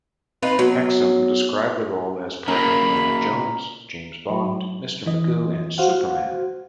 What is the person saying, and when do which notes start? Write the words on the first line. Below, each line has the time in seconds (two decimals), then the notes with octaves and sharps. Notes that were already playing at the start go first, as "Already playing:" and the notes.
Hexum described the role as part Indiana Jones, James Bond, Mr. Magoo, and Superman.
0.43 C4 D#4 F4 B4
0.59 F#3 B3
2.48 C#3 A#3 A#4 B5
4.30 F#3
5.06 E3 D#5
5.78 F#4 C5 F5 F#5